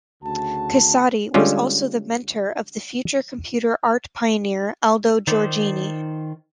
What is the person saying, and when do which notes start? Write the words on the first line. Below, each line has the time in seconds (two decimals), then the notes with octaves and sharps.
Casati was also the mentor of the future computer art pioneer Aldo Giorgini.
0.23 D2 C#3 F#4 A5
1.34 D3 G3 G#3 C#4 F4
5.27 D#3 D#4 F4 C5 D5